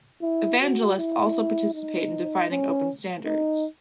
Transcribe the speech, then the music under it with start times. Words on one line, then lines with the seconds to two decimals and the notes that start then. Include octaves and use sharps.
Evangelists also participate in defining open standards.
0.22 E4
0.60 F#4
0.98 E4
1.74 D#4
2.51 C#4
3.26 D#4